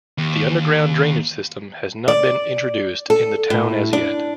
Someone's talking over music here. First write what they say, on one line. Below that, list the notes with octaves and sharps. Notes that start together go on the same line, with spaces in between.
The underground drainage system has not been introduced in the town as yet.
D#2
D5
A4
A2
D4